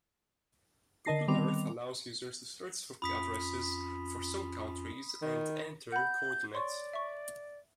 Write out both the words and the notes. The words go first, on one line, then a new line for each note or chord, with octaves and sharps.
Google Earth allows users to search for addresses for some countries, and enter coordinates.
D3 A#4 D#5 A5 A#6 C7
D#3 G3 B3 C4 D6 F7
F2 C#4 F4 B5 D#6 B6
D#3
F#5 B5 G6
C#5 D5 C6 C#6
E5 C#6